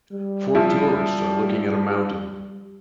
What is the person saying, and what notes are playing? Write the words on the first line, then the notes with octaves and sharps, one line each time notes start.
Four tourists are looking at a mountain.
G3
F3 E4